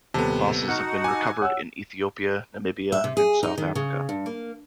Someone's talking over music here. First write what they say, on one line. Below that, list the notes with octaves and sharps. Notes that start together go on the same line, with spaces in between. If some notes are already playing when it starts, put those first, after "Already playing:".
Fossils have been recovered in Ethiopia, Namibia and South Africa.
D#1 C3 B3 A4 A5
D#4 F#4 F#5 F6 F#6
G#5 D6 E6
C#5 F#5 E6
E5
C3
G#4
D#4
D#3
C#3
G2
A#3